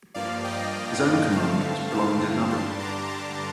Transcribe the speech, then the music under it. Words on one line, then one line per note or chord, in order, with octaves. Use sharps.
His own command was prolonged another year.
G2 F3 A#3 D5 F5
D#5 G5
G2 D3 A3 C4 F5 A5
F5 A5
G2 D3 G3 D4 A5 C6
A#5 D6
A5 C6